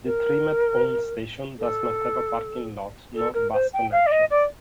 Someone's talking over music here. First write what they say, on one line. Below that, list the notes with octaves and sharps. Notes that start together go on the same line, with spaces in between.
The TriMet owned station does not have a parking lot nor bus connections.
A#4
A4
A4
A#4
C5
G5
F5
D5
D#5
D5